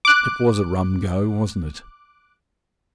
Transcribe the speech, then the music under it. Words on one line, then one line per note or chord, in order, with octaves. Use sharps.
It was a rum go, wasn't it?
D6 F#6